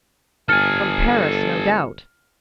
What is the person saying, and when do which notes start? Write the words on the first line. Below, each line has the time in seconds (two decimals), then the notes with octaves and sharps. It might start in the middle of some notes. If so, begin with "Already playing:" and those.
From Paris, no doubt.
0.49 G1 A4 G#5 F6